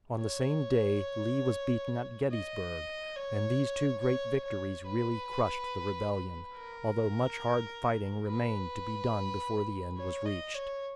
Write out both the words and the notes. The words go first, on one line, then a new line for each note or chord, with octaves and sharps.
On the same day Lee was beaten at Gettysburg, and these two great victories really crushed the Rebellion, although much hard fighting remained to be done before the end was reached.
C#5
D#5
C#5
C#5
C#5
B4
A#4
B4
C#5
D#5
C#5